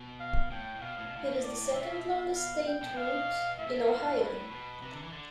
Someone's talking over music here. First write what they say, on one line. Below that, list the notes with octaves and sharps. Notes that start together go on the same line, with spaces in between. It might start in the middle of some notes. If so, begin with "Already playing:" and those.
It is the second longest state route in Ohio.
Already playing: B2
F5
A2 G5
A2
B2 F5
A2
B2
A2
B2
A2
D5
C3
B2 E5
F5
G5
B2
A2
B2 F5
A2 E5
B2
A2
F5
G2 B4
A2
B2
C3
D3
E3
D3